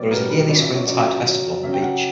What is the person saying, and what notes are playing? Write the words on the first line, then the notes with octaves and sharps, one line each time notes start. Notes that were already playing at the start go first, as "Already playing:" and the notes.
There is a yearly Spring Tide Festival on the beach.
Already playing: B2 G3 B3 C#5 D5
B2 G3 B3 A#4
B4
A#2 F#3 C#4 D5
E5
C#5
A#2 F#3 C#4 D5
C#3 F#3 C#4
C#3 F#3 C#4 E5
G5
F#5